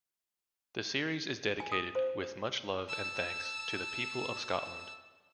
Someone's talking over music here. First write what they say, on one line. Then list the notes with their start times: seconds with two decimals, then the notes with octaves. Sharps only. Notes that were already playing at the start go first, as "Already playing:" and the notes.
The series is dedicated "with much love and thanks to the people of Scotland".
1.60 G#5
1.72 D#6
1.95 C5
2.89 A5 E6